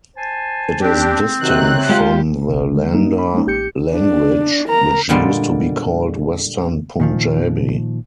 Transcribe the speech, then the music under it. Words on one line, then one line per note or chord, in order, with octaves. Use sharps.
It is distinct from the Lahnda language, which used to be called Western Punjabi.
C5 G#5 A5
C4 D4 G4
C3 D#3 F#3 F#6
G#3 F4 G4
A1 C3
D3 G#3
F#3 A#3 D#4
B5
G#3 A#3 C#4 D#4
A1 G4 G6 C#7
D4
A#4 A#5
A#2 D3 G3 G#3
A#2 D#3 F3